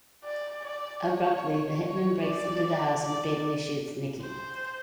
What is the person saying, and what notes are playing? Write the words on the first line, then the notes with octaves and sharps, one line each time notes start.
Abruptly, the hitman breaks into the house and fatally shoots Nicki.
D5
D5
C#5
C#5
D5
D5
C5